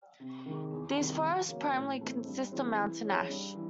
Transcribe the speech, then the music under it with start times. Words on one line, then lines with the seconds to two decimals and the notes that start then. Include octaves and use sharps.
These forests primarily consist of Mountain Ash.
0.20 C3
0.46 D#3 G#3
0.71 E2
0.97 C3 D#3 G3
1.23 F3
1.49 A#3 C#4 F#4
1.74 A2
2.00 E3 A3 C4
2.26 G2
2.51 E3 G#3 C4 E4
2.78 E3
3.03 G#3 C#4
3.29 G2
3.54 E3